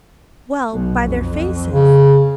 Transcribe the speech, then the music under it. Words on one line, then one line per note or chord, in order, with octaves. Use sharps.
'Well, by their faces....'
B1 B2
F2
C#3